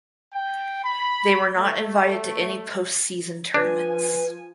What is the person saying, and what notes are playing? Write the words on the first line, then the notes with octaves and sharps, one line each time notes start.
They were not invited to any post season tournaments.
G5
B5
A3
F3 D4 B4 G#5